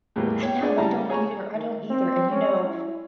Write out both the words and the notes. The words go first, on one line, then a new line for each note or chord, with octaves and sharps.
I know, I don't either, I don't either and, you know,
E2 A2 G3 A#3
C#5 G5
D4 G#4 C#5 D5
C#3 G3 C#4 E4 A5 A#5
G#4 C#5 G#5 A#5 C#6
D#3
C4
C#4
E4